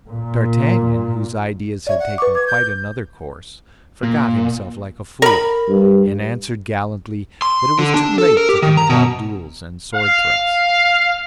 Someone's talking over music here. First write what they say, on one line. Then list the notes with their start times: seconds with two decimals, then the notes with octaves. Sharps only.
But d'Artagnan, whose ideas had taken quite another course, forgot himself like a fool, and answered gallantly that it was too late to think about duels and sword thrusts.
0.11 A#2
1.87 C#5 D5 E5
2.00 F#5
2.18 B4 C#6 D6
2.35 D6 G#6
2.48 G6
4.03 A#2
5.22 A#4 B5
5.68 G2
7.42 C6
7.79 D3
7.95 D4
8.18 A4
8.37 A#4
8.49 G4
8.62 D#3
8.77 A#5
8.90 B2
9.95 F5